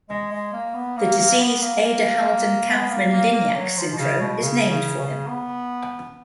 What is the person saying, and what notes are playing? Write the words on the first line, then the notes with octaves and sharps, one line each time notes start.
The disease Abderhalden-Kaufmann-Lignac syndrome is named for him.
G#3
G#3
A#3
B3
A#3
A#3
B3
A#3
A#3
B3
A#3
A#3
A#3
F#3
F3
B2
C#3
B2
C#3
C#3
C#3
B3